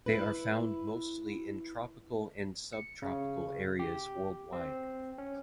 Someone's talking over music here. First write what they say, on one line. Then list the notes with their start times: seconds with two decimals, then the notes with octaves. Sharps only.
They are found mostly in tropical and subtropical areas worldwide.
0.06 E4 B4
2.73 C#7
3.02 C#3
3.79 G4
4.53 C4
5.18 C#4